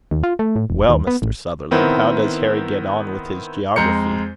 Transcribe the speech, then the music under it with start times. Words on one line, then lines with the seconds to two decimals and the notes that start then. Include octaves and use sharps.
"Well, Mr. Sutherland, how does Harry get on with his geography?"
0.11 D#2
0.23 F4
0.39 A3
0.56 A2
0.70 E1
0.89 D#2
1.07 B3
1.22 A1
1.71 D#3 B3 C4 E4 A#4
3.76 F2 G#3 A#5 G6 C#7